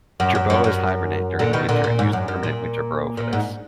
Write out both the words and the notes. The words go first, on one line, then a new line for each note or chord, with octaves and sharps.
Jerboas hibernate during the winter and use the permanent winter burrow for this.
F#2
F#2
F#2
F#2
A#2 D3
B2 D#3
A#2 D3
A#2
G#2
F#2
F#2
A#2
A#2
G#2